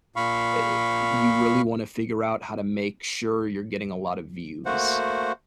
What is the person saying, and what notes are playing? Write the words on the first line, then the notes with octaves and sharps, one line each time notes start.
Eh you really wanna figure out how to make sure you're getting a lot of views,
A#2 F5 B5 C#6
A3 A#3 F#4 C5 F#5